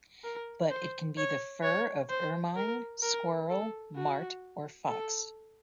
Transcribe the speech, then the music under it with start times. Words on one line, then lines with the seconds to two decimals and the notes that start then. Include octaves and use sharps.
But it can be the fur of ermine, squirrel, mart or fox.
0.24 A#4
0.71 C5
1.18 C#5
1.63 C#5
2.10 C5
2.56 A#4
3.03 A#4
3.50 A4
3.96 F#4
4.89 A4